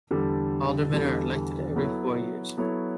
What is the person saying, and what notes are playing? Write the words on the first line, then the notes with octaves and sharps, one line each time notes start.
Aldermen are elected every four years.
E2 D3 G3 D4 A4
E2 D3 G3 D4 A4
F#3 B3 E4 A4 C#5
F#3 B3 E4 A4 C#5